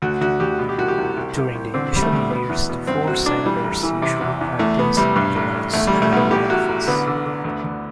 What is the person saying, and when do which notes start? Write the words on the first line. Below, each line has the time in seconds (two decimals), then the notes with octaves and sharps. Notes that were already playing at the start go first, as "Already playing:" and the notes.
During the initial years, the four Senators usually practiced in Lott's hideaway office.
0.02 D2 F#4
0.21 D2 F#4
0.40 D2 G4
0.59 B2
0.69 G4
0.78 C2 F#4
0.88 G4
0.98 C2
1.17 C2
1.35 C2
1.55 C2
1.74 D3 C4
1.93 D3 G3
2.02 A3
2.12 D2
2.30 B2 B3
2.49 E2
2.70 B2
2.87 G2 C4
3.07 A1 F#4
3.26 A1 D4
3.46 E3 G3
3.64 A1
3.83 E3
4.02 C3
4.21 E2
4.41 E2
4.59 E2 A3
4.79 E2 B3
4.97 C3 G3
5.16 G2
5.35 A1
5.55 A1
5.73 B1 A3
5.87 B1 G3
6.02 A3
6.12 B1 B3
6.30 A1 G4
6.50 A1 F#4
6.69 A1
6.87 D3 B3
7.07 D3
7.26 D3
7.44 D2
7.64 D2